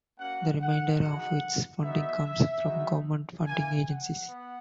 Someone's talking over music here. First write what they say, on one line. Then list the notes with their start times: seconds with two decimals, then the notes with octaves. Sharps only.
The remainder of its funding comes from government funding agencies.
0.19 A#3 C#4 F#4 F#5
0.61 F#5
1.00 G#3 D#4 F#4 F#5
1.83 B3 D#4 F#4 E5
2.65 G#3 B3 D#4 F#4
3.46 A#3 E4 G#5
3.88 F#5
4.28 B3